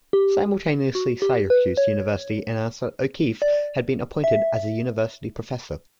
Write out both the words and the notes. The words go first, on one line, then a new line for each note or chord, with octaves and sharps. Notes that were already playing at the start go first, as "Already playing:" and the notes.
Simultaneously Syracuse University announced that O'Keefe had been appointed as a University Professor.
G4
F#4
G4
B4
C#5
D5
E5